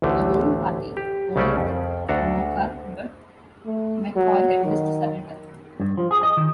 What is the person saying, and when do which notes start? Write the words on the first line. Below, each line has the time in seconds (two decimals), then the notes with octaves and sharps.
A boarding party boarded the "Tomoka", but McCoy refused to surrender.
0.02 A1 D2 D3 A3
0.97 G4
1.36 C2 C#3 A3 C#4 C5 D5
1.57 F2
2.08 D2 D4 F#4 A4 A#5
3.66 A3
4.16 F#3
4.65 D#3
5.80 G2
5.97 F3
6.11 G#4
6.23 D#5
6.37 D#3